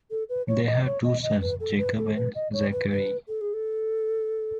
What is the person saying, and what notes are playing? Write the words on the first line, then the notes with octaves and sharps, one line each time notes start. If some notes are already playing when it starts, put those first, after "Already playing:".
They have two sons, Jacob and Zachary.
A4
B4
C#5
D#5
C#5
D#5
D#5
B4
A4
B4
A4
B4
D#5
C#5
B4
B4
A4
G#4
A4